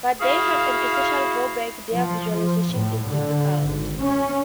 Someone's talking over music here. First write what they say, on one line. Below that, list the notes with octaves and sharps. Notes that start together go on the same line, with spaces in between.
But they have an essential drawback: their visualization is difficult.
E4 F#4 G#4 F5
F3
F3
A2
D3
G#1
C#4